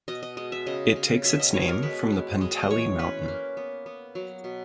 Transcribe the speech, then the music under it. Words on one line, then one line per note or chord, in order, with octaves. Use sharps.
It takes its name from the Penteli mountain.
B2 D#5
D#5
G#3 D#5
E5
C#3 D#5
C#3
B2 E5
D#5
B2 C#5
A#4
G#3 B4
G#3
G#3 D#5
D#5
E3 C#5
C#4 B4
A#3
B3
B3
F#3
B2